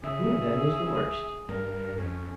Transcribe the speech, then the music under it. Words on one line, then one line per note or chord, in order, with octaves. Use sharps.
'Who, then, is the worst?
C#3 G#4 E5
G2 A#4
F2 C#4